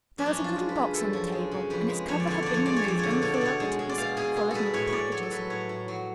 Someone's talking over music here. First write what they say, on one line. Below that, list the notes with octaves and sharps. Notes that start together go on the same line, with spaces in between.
There was a wooden box on the table and its cover had been removed and revealed that it was full of neat packages.
F#2 D4
C#4
F3 D4
F4
G#3
B4
C#3
F#2 A4
F3
G#3
C#3
F2 B4
G#3
F2 C#5
D5
D3 C#5
F2 D5
C#5
G#3 D5
C#5
F2 D5
D3 C#5
D5
B2 C#5
D5
B2 C#5
G#3
G#3
D5
B2 F5
B2 G#4
G#3 G#4
G#3 A4 B4
A2 C#5
C#5
A2 D5
F#3 C#5
A4
F#3 B4
A2 C#5
A2
F#3